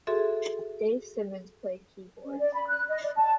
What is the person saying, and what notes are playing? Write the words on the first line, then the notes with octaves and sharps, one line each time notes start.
Dave Simmons played keyboards.
F#4 G#4 A4 E5 C6
C#4
D5
B5
F#6
D#5
D5
A5